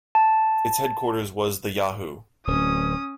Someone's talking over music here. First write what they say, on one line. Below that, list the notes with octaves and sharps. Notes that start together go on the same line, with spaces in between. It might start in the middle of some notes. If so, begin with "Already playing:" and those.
Its headquarters was the Yahoo!
A5
D1 C#4 D#6